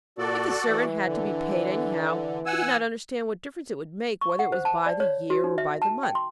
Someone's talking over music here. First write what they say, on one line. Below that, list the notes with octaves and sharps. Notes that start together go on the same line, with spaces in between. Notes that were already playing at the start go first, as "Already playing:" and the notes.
If the servant had to be paid anyhow, he did not understand what difference it could make whether it was by the year or by the month.
A#2 F#4 A4 D5
E3
D3
F#5 G#5 E6
C#6
F#5
C5
A5
D5
C#5
F#4
D#4
E5
A5
G5
C6